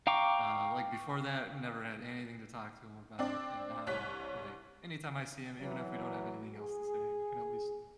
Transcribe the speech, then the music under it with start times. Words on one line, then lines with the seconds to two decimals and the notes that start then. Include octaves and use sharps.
uh, like before that, never had anything to talk to him about, and now, like, anytime I see him, even if we don't have anything else to say, we can at least
0.07 F5 G5 A#5 C#6 D6
3.19 C4 D4 D5
3.87 C2 C#5 F#6 B6
5.60 E3 F#3
6.54 G#4